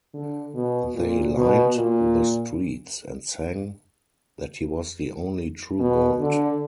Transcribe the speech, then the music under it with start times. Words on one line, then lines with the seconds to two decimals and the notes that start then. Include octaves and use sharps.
They lined the streets and sang that he was the only true god.
0.14 D3
0.55 B2
0.94 A#2
1.35 B2
1.75 A#2
5.79 B2
6.20 D3